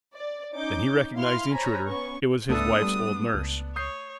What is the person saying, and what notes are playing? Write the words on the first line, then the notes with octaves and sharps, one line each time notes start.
Then he recognised the intruder, it was his wife's old nurse.
D5
C#4 D#4 D6 G6
E4 F5 C6 F6
C5 C#5 G#5 A#5 B5
B3 C#4 C#6
C#2 A3 B3 D4 A4 D#6
G3
C#2
C#5 D#6 G6 C7